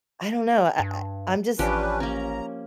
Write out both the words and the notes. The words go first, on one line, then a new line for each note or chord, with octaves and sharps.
I don't know, I I I'm just
G2
A1 F3 C#4 D4 G4 B4
A#3 C#4 A#5